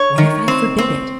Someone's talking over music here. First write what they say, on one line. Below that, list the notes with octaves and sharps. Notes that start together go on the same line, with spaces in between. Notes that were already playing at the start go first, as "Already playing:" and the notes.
"What if I forbid it?"
Already playing: C#5
D#3
C4
C4